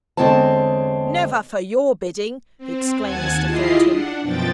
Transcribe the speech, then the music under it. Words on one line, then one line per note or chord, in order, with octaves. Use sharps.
'Never, for your bidding!' exclaimed Mr. Thornton.
E2 D3 G#3 C4 C#5 A5
C4
D#2 F#5 G#5 A5 G#6
E4 F4 G4 G#4 D#5 C7
D4 F#5
F#2 B2 F3 G5 A6